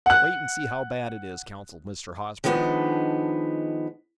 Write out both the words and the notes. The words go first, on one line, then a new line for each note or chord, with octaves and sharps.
"Wait and see how bad it is," counseled Mr. Hosbrook.
F#5 F#6
D#3 F3 G#3 B3 D4 D#4